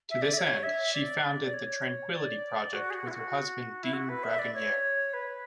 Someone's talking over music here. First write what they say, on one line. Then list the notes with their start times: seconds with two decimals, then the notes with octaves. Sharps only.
To this end, she founded "The Tranquility Project" with her husband Dean Bragonier.
0.10 E5
0.22 D5
0.33 E5
0.38 C#5
0.63 E5
0.93 D5
1.46 D5
1.54 C#5
2.14 D5
2.73 F#4
2.90 G#4
2.94 F#4
3.07 E4
3.11 F#4
3.83 E4
3.94 F#4
4.09 B4
4.24 E5
4.39 D5
4.54 C#5
5.14 B4